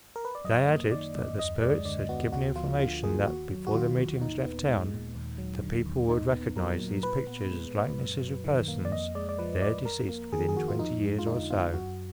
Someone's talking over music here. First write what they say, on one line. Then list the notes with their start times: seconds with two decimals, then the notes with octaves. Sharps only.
They added, that the spirits had given information that, before the mediums left town, the people would recognize these pictures as likenesses of persons there deceased within twenty years or so.
0.16 A#4
0.25 B4
0.35 D5
0.44 F#2 D#5
0.68 A#3
0.91 D#3 D5
1.15 F#2
1.38 D#2 D#5
1.62 G#3 D5
1.85 D3 D5
2.09 B3 F#4
2.32 D2 F#4
2.56 F3 F4
2.80 D3 F4
3.03 A#3 G#4
3.27 D#2 F#4
3.50 F#3
3.67 F#4
3.73 D#3 F4
3.97 D#2
4.21 A#2 D#4
4.44 B3
4.68 G#3
4.91 A#2
5.15 D#2
5.38 F#3
5.62 D3
5.86 D#2
6.09 A#2 D#4
6.33 B3
6.56 F#3 A#4
6.80 A#2
7.03 A#2 B4
7.27 B3
7.50 G#3
7.74 A#2
7.98 F#2
8.20 F#3
8.44 D#3
8.68 A#3
8.85 D5
8.92 F2 D#5
9.15 G#3 D5
9.29 D5
9.38 F3 B4
9.62 F2 D5
9.85 F2 A#4
10.09 A#3
10.33 D#3 G#4
10.49 G#4
10.56 F2 F#4
10.68 F4
10.79 F2 D#4
11.03 G#3
11.19 F4
11.27 D3 D#4
11.51 B3 F4
11.74 F#2 F#4